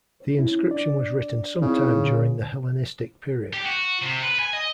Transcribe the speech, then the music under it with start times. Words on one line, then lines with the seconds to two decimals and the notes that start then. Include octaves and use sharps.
The inscription was written sometime during the Hellenistic period.
0.39 C#4 E4
0.70 D4 D5
1.62 C#3 C4 D#4 E4
1.94 A#2 D3
3.54 G4
3.66 F#4
4.02 C3
4.23 B4
4.39 G#5
4.53 D#5